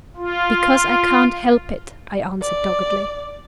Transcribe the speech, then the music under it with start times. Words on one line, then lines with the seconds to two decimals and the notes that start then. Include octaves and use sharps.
"Because I can't help it," I answered, doggedly.
0.17 F4
2.42 D5